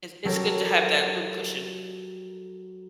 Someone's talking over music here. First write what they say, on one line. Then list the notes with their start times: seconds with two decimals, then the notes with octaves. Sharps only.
It's it's good to have that little cushion.
0.25 F#3 G4 A4 A#4 C#5